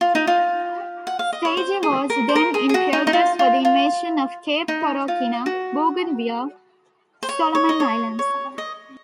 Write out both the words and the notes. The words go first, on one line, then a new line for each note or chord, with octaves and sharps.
Staging was then in progress for the invasion of Cape Torokina, Bougainville, Solomon Islands.
F4
D#4
F4
F#5
F5
D#5
C#5
C5
G#4
A#4
C5
A#4
G#4
G#4
F#4
D#4
D#4
F4
F4
F4
D#4
F4
F#4
C5
C#5
C#5
D#5
C#5
C#5
D#5